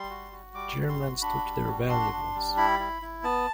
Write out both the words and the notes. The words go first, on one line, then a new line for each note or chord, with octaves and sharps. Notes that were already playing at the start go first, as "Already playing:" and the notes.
Germans took their valuables.
Already playing: G3 C6
F#4
F#4
G3 D6
F#4
C6
F#4
D4 B5
G3
F#4
D4 C6
D4
G3
E4 B5
E4
E4
B3 A5